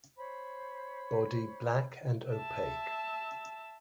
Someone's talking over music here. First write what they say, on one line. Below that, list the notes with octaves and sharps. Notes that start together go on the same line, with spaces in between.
Body black and opaque.
C5 C#5 B5
E5 A5